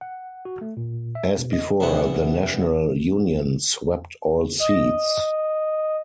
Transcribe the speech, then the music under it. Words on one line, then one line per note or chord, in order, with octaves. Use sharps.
As before, the National Union swept all seats.
F#5
F#4
A3
A#2
E5
B2
D#5
A#1 C3 E3 B3 F#5
D#5